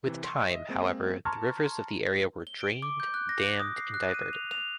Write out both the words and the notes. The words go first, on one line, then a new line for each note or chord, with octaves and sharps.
With time, however, the rivers of the area were drained, dammed and diverted.
C3 E3
C6 C#6
D#5 E5
G#3 A#3 C4 G#4
A5 A#5 C6 C#6 F6 G#6
G7
D7
D6
G6
F#6
A#6
D#6
C7
F#6
D#7
F7
F7